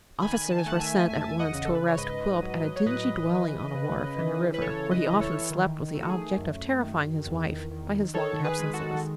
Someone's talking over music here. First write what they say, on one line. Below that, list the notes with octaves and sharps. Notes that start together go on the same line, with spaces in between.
Officers were sent at once to arrest Quilp at a dingy dwelling on a wharf in the river where he often slept with the object of terrifying his wife by his long absences.
D#3 G#5 B5
A5
G#5
A3 F#5 A5
E5 G#5
E2 E5 G#5
A5
G#5
D#5 F#5
C#3
A4
B4
C#5
G#2 B4 D#5
F#3
C#5
A2 B4 D#5
E3
C#3
E3
B4
C#3 A4 C#5
B4 D#5
E3
A4 C#5
D#3
A3
F#4
G#4
F#2
D#3
E2
D#3
D#3 A4 C#5
G#4 B4
G#3
F#4 A4